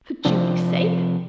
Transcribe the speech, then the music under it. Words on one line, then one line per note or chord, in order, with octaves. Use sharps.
"For Julie's sake!"
C3 F3 C4 D4